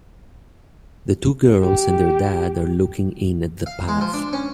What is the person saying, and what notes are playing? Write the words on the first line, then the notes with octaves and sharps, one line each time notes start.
The two girls and their dad are looking in at the path.
G4
F5
G#3
F3
D4
C#4